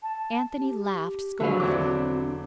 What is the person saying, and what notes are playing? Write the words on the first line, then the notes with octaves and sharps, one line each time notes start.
Anthony laughed scornfully.
A5
G4
D3 F#3 G#3 B4 E5 F5
E1 C4 D4 E4 F#4 D6